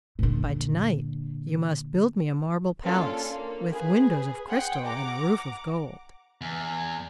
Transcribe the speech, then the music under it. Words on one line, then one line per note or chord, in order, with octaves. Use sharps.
By to-night you must build me a marble palace, with windows of crystal and a roof of gold.
A#2 D3
A#3 C#4 D4 F4 A4
A#3
G#4 B4
G#4 F#5 G5 C6
F#5 A#5 D6
E2